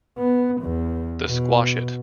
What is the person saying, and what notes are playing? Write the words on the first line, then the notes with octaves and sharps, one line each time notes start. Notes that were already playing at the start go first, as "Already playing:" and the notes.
The Squash It!
B3
E2
B2